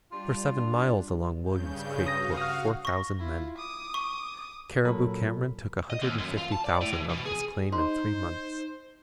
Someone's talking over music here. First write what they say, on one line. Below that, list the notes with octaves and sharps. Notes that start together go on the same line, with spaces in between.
For seven miles along William's Creek worked four thousand men. Cariboo Cameron took a hundred and fifty thousand out of his claim in three months.
G3 D4 F4
G2 C#3 G6
F#4 F5 D#6 A#6
D#6 F6
C#6 A#6
E4 F4
D6 D#6
C#6
A#2 F#3 A4 A#4 B5
D#5
D#2
F#2
F4
A5
D5
A2
E3
B2
G#4
D#4 C5 C6